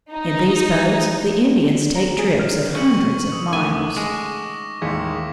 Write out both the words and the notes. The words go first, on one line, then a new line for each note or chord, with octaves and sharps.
In these boats the Indians take trips of hundreds of miles.
D#4
A#5
G#4
F6
C#3 C#6 C#7 F#7
D#6 E6
D#3 A3 F#5 G#5 D6 C#7 G7
G#3 D6 A#6 E7
A1 D#2 G#3 G#6 B6 C#7